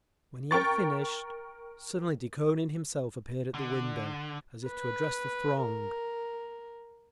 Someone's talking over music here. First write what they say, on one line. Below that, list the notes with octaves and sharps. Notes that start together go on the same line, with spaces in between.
When he had finished, suddenly Dukhonin himself appeared at the window, as if to address the throng.
A#4 G5 C#6 A6
D3
B4
A#4